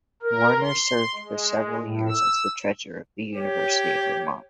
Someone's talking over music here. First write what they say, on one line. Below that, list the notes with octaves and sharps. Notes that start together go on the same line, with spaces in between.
Warner served for several years as the treasurer of the University of Vermont.
A#4
C6
G#3
A2
E6
G4 C#5